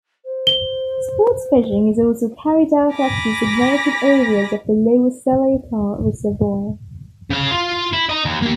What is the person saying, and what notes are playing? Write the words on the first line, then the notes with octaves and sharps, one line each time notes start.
Sports fishing is also carried out at designated areas of the Lower Seletar Reservoir.
C5
G7
G#5 A#5 B5 D6 F6 A#6
C#3 F5
F4
E4
D#5 A#5
D#2
A#3 G4